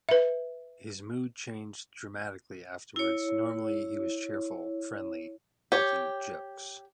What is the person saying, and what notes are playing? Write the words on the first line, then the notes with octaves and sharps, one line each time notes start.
His mood changed dramatically afterwards - normally he was cheerful, friendly, making jokes.
B4 E5
E4 C#5
G4 C#5